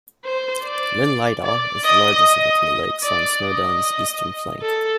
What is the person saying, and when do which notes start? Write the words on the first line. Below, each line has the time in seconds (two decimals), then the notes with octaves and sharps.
Llyn Llydaw is the largest of the three lakes on Snowdon's eastern flank.
0.25 C5
0.64 D5
1.44 D5
1.84 D#5
2.24 D#5
3.03 D5
3.43 D#5
4.62 A4